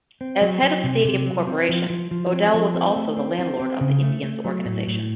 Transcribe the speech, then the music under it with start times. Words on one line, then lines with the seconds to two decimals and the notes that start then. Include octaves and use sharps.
As head of Stadium Corporation, Modell was also the landlord of the Indians organization.
0.21 C4
0.41 F#3
0.63 F#3
0.84 C3
1.05 C3
1.26 F#3
1.47 C4
1.69 F3
1.90 F3
2.11 F3
2.32 C4
2.54 F3
2.75 C4
2.96 A3
3.17 C4
3.39 C4
3.59 C4
3.81 C#3
4.02 A3
4.23 A3
4.45 F#3
4.65 A2
4.87 A2